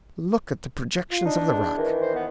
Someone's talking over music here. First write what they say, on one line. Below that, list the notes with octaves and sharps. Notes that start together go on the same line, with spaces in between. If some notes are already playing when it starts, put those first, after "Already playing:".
Look at the projections of the rock.
F4
D4 D#4
E2
D#3 E3
C5
B3